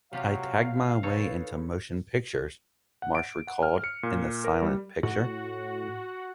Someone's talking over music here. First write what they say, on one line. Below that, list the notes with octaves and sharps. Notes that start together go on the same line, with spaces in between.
"I tagged my way into motion pictures," Marsh recalled in "The Silent Picture".
C3 F#3 F4 G4 F5
D#4 A4 B4 C#5
F#5
D7
F#5
F6
C#7
A#2
A#4
G3
A2 F#4